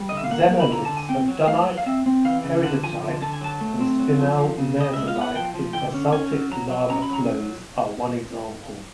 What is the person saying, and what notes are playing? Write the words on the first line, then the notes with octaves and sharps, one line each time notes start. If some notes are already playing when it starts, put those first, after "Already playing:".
Xenoliths of dunite, peridotite and spinel lherzolite in basaltic lava flows are one example.
Already playing: G3
D#5
D3
E5
F5
A#3 F#5
A#3
B5
D3 A#5
D3 A5
G#5
C4 G5
F#3
A3 F5
F#3
F5
C4 E5
C4
E3 F5
C#3
D3 F#5
F3 G#5
D3
D3 A5
G#5
F#3 A5
A3
C4
F#3
F3
F3
C#3
C#3 D#5
G#3 E5
F5
B3
F#5
F3 G5
F3
D3 G5
C#4
C#4 G#5
F#3
F#3 A#5
F#3
C#4 A#5
B5
F#3 A#5